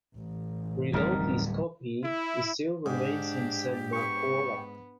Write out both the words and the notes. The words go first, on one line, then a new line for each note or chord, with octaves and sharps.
Ridolfis copy still remains in San Marcuola.
A1
D1 F2 G3 D#4 A#4
E4
G#2 D4 G4
B3 C#6